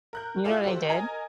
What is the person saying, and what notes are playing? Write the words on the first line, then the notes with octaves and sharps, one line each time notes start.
You know what I did?
A#4 F#6 G6
E4 F4 G#4 A4 D5 F5
F#4 G4 A4 C5
A#4 D#5 G#5 A#5 G#6